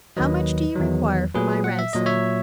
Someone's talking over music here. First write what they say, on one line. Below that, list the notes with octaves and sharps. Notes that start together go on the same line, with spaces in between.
"How much do you require for my ransom?"
D#2 D#3 F#3 B4 D#5
E2 D#3 F#3
A#2 F#3 G#4 B4
F#5
E5
A#2 F#3 D#5
C#5 E5